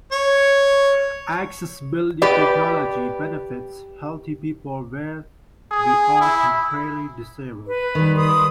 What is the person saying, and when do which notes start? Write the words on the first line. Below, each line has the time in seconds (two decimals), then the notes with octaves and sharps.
Accessibility technology benefits healthy people, where we are temporarily disabled.
0.12 C#5
2.22 G4 B4 D5
5.71 G#4
6.21 E4
7.66 B4
7.95 D#3 G3
8.15 B5 C6 D#6